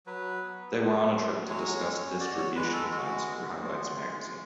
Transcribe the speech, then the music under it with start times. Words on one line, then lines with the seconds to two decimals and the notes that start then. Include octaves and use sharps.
They were on a trip to discuss distribution plans for Highlights magazine.
0.06 F#3 B4
0.42 B3
0.77 F4
1.13 F#3
1.48 G#3 C#5
1.85 C#4
2.20 F#4 D5
2.38 C#5
2.55 G#3 B4
2.73 A4
2.91 G#3 F#4
3.27 B3
3.61 F4
3.96 G#3